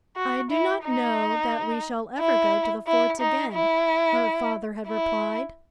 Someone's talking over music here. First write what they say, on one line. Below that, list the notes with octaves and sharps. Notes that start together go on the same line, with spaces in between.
"I do not know that we shall ever go to the forts again," her father had replied.
F#4
E4
D#4
E4
E4
D#4
E4
E4